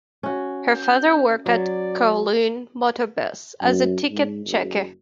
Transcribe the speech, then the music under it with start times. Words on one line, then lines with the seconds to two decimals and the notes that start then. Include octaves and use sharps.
Her father worked at Kowloon Motor Bus as a ticket checker.
0.23 C#4 F#4
0.75 G6
1.46 F#3 D5
3.62 F#2
4.10 G#2
4.45 F#1